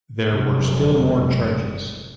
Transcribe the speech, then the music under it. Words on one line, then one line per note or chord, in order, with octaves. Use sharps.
There were still more charges.
F1 C#2 F#2 C3